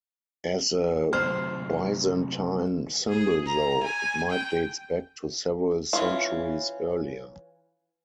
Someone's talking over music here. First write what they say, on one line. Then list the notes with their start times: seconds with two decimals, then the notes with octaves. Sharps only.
As a Byzantine symbol though, it might dates back to several centuries earlier.
1.13 C3 F#3 A3 C5 F6
3.08 G#4
3.46 A#5
3.83 G#5
4.31 G5
5.93 E3 C#4 F4